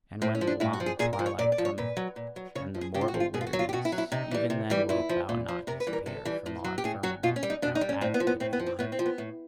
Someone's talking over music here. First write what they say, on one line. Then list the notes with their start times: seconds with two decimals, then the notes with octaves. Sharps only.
And when the long twilight cometh and the mortal weariness, even then wilt thou not disappear from our firmament, thou advocate of life!
0.22 A2 C4
0.35 C#4
0.41 F3
0.47 D4
0.60 A2 E4
0.73 F#4
0.80 F3
0.86 G#4
0.99 A#2 G#4
1.13 A#4
1.19 F3
1.26 C#5
1.39 A#2 D5
1.52 D5
1.58 F3
1.65 C#5
1.78 A#2 B4
1.97 F#3
2.16 A#2
2.36 F#3
2.55 C#3 C#5
2.74 F3
2.81 G#4
2.94 C#3 G4
3.01 F4
3.08 F#4
3.14 F3
3.20 F4
3.34 B2 G#4
3.41 F4
3.47 F#4
3.53 F#3
3.59 F4
3.69 G4
3.73 B2 F#4
3.85 E4
3.92 F#3
3.98 E4
4.12 C3 D#4
4.31 E3 G3
4.50 C3
4.70 E3 G3
4.89 A#2 E4
5.09 F3
5.29 A#2
5.48 F3
5.67 C3 A#4
5.80 B4
5.87 E3 G3
5.93 A#4
6.06 C3 A4
6.25 E3 G3
6.46 A2
6.64 F#3
6.78 G4
6.84 A2 G#4
7.03 F#3 F#4
7.23 B2 F4
7.36 C#4
7.43 G3
7.50 D#4
7.62 B2 D4
7.75 D#4
7.81 G3
7.89 C#4
8.01 A2 C4
8.14 B3
8.20 F3
8.27 B3
8.40 A2 C4
8.53 B3
8.59 F3
8.66 C4
8.79 A2 B3
8.92 C4
8.99 F3
9.06 B3
9.18 A2